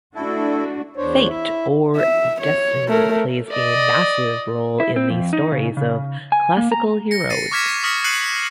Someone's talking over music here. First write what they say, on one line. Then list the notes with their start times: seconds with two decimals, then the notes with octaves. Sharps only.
Fate, or destiny, plays a massive role in the stories of classical heroes.
0.15 A3 D4 E4 F#4 A4
0.96 E2 D4 C5 C#5
1.29 E4 E5
1.96 E5
2.41 C#5
2.88 A3 A#4
3.50 D5 D#5
4.80 E4
4.96 C4
5.10 F2
5.33 D#4
5.52 C#3
5.77 C#3
6.32 G#5
6.57 A#3
6.72 A#5
7.11 A#6 C#7
7.30 A6 C7 D#7
7.51 C#6 D6 F6 G#6 B6 E7
7.69 A#6
7.83 C#6 D#6 F6 A#6 B6 C#7
8.04 F#6 C7 C#7 D#7 F#7